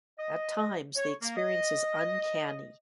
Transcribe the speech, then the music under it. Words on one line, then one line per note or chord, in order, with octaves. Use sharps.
At times the experience is uncanny.
D#5
C#5
A#3
D#5